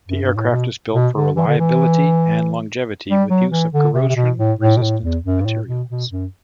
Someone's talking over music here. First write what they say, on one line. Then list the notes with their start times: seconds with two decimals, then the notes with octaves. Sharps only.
The aircraft is built for reliability and longevity, with use of corrosion-resistant materials.
0.08 F#2
0.22 G2
0.36 A2
0.51 B2
0.93 B2
1.15 D3
1.36 E3
1.47 D3
1.59 E3
3.09 G3
3.30 F#3
3.51 E3
3.74 D3
3.94 C3
4.09 C3
4.16 B2
4.38 A2
4.59 A2
4.77 B2
4.82 A2
5.03 E2
5.24 F#2
5.41 G2
5.45 A2
5.67 B2
5.89 B2
6.11 F#2